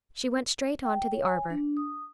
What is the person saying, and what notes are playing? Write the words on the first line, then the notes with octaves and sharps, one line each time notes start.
She went straight on to the arbor.
G5
C#5
G#5
D4
D#6